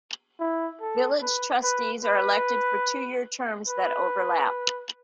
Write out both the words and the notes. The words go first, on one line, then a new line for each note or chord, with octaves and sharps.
Village trustees are elected for two year terms that overlap.
E4
A4
B4
B4
B4
B4